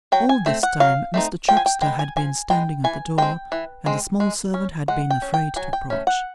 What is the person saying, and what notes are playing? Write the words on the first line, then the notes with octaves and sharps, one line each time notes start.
All this time Mr Chuckster had been standing at the door, and the small servant had been afraid to approach.
F#3 G5
G#5
A3 C4
F#5
F#3 F5
A3 C4 D#4
F3 G5
G#5
G5
G#3 B3 G5
G#5
F3 G#5
G#3 B3 G5
E3 G#5
G#3 C4 G5
E3
G#3 C4
G#3
C#4
G#3 F#5
G5
C#4
G5
F#3 G#5
G5
A3 C#4
F#5